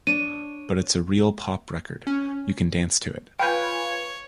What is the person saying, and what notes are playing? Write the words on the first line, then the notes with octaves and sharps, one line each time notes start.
But it's a real pop record-you can dance to it.
D4 C#5 D#7
C#4
F4 B4 C#5 G5 G#5 G6